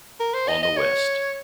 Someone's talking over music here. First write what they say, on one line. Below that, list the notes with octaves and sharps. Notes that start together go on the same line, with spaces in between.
On the West.
A#4
C5
D#5
D#5
C#5